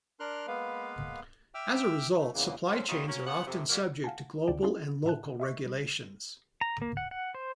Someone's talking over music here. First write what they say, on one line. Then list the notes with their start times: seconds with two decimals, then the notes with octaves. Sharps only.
As a result, supply chains are often subject to global and local regulations.
0.20 D4 A#4 C6 F6 F#6
0.47 G#3 A#3 B3 B4 F5
1.54 E5 G5 D6 E6 F6
2.19 A3
2.34 E2 C#3 E3 A#3
2.69 D3 G#3 C4 C#4
2.88 D#2 B3 F4 G4 C#5 D#5
3.08 A#3 C#4 F#4
3.25 C#3 B3 F#5
3.46 F2 C3
3.69 F#3 G3 A#3
4.04 F5 F#5 G#5 A5
4.47 D2 C#3 D5 G5 D7
4.63 C#4 D4 E4 F4 G#4
5.05 A2 E5 A5 F#6
5.40 D#5 E5 C#6
5.66 G3
6.61 A#5
6.82 A#3
6.97 F#5
7.11 F#5
7.35 C5